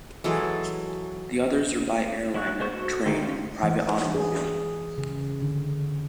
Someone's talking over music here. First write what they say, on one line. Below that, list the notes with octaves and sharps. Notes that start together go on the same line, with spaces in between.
The others are by airliner, train, and private automobile.
E3 F#3 G#3 A4
F#3 E4 C#6 F#6
G#3 B3 C5 C#6
F#4 A4 C5
D3 D#3 G#3 A3 G4
C#4 D4 F4 G4
E3
G#4
C#3
D3